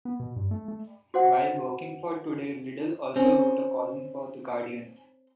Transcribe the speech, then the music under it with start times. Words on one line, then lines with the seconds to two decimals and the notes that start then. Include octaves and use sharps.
While working for "Today", Liddle also wrote a column for "The Guardian".
0.05 B3
0.20 B2
0.36 G2
0.51 A3
0.68 A3
1.14 F#4 C5 F#5
3.16 C4 C#4